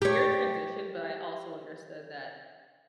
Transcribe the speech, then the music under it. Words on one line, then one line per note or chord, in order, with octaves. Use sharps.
weird transition, but I also understood that
G4 C#5